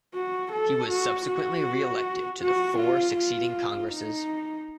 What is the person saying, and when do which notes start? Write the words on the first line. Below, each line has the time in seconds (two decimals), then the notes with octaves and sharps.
He was subsequently reelected to the four succeeding Congresses.
0.15 F#4
0.52 A4
0.90 F#4
1.28 F#4
2.41 F#4
2.78 F4
3.16 F4
3.91 D#4